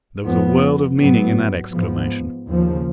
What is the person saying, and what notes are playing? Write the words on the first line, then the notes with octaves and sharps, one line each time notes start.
There was a world of meaning in that exclamation.
F2 F3 B3
G#2 F#3 B3
G#2 F3 B3
D#2 C#3 F3